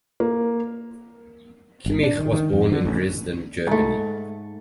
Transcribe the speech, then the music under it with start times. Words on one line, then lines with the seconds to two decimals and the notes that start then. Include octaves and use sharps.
Kimmich was born in Dresden, Germany.
0.20 A#3
1.86 G1
2.03 D4
2.18 D#3
2.33 D#3
2.53 F2
2.72 D3
2.85 A1
3.67 G#2 A3